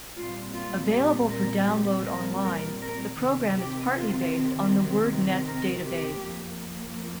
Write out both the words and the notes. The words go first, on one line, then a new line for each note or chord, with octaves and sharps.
Available for download online, the program is partly based on the WordNet database.
A#2 G3 C4 F4
F4
G4
A#4
G4
A#4
A#4
A#4
C3 D#3 C4
G4
F4
A#4
G4
F2 F3 A#3